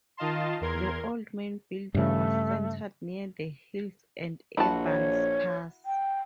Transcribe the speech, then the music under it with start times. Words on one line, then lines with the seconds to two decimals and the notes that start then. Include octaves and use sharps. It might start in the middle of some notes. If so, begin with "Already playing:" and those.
The old main building was centred near the hills and Evans Pass.
0.17 D#3 F4 D#5 F5 A5 C6
0.61 E2 A#4 C6 G#6
1.94 G2 C#3 A3
4.57 A#1 E4 F#4 A5
4.84 C#5
5.86 G5